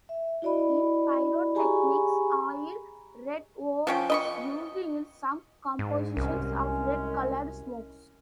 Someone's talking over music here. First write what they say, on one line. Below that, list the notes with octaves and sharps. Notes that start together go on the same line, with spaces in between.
In pyrotechnics, Oil Red O is used in some compositions of red colored smokes.
E5
E4 F#4 D5 D#5 B5
G4 G#4 G#5 A#5 B5 C#6
F3 C#4 G5
D#5 B5 C#6
G#2
C2 F#2 G#3 C#4